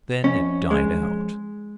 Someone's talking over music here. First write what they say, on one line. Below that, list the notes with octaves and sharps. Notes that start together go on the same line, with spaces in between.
Then it died out.
F2 C#4
G#3